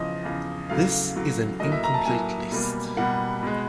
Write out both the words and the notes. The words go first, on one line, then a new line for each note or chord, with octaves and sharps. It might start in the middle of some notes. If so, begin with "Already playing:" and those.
This is an incomplete list.
Already playing: E2 C#3 F3 D#5
E2 C#3 F3
E2 C#3 F#3 A3 F5
E2 C#3 F#3 A3
A2 F#3 A#3 D#5
E5
A#5
A5
A2 F#3 A#3 G#5
B2 G3 A#3
B2 G3 A#3 F#5
B2 G#3